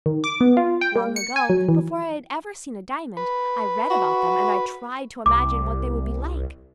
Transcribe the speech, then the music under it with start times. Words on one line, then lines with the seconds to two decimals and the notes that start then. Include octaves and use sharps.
Long ago, before I had ever seen a diamond, I read about them and I tried to imagine what they would be like.
0.06 D#3
0.24 D6
0.41 B3
0.57 F4
0.81 G5
0.96 A#3
1.16 C#7
1.36 G#5
1.50 F#3
1.68 E3
3.17 B4
3.90 F#4
5.26 C2 D6